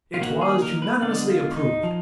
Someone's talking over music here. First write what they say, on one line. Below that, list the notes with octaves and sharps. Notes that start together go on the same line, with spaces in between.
It was unanimously approved.
F4
D#3 A#3 F#4
G#4
A#4
B4
D3 G#3 B3 D5
F4
D#4
F3